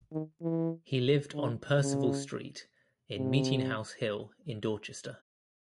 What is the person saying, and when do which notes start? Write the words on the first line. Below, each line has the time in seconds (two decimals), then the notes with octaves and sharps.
He lived on Percival Street in Meeting House Hill in Dorchester.
0.12 D#3
0.42 E3
1.34 D3
1.80 C#3
3.17 C3